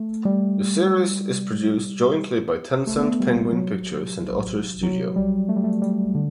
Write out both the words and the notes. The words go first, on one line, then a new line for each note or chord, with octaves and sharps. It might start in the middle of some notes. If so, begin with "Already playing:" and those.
The series is produced jointly by Tencent Penguin Pictures and Otters Studio.
Already playing: A3
G3
A3
B3
A3
G3
F#3
F#3
G3
A3
G3
A3
G3
D3